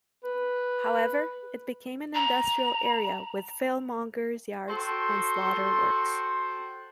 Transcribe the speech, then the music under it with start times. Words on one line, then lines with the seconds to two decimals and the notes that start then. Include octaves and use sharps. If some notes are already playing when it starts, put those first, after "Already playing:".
However, it became an industrial area with fellmongers yards and slaughter works.
0.24 B4
2.15 A#5
4.68 F#4 A4 C5 G5 C6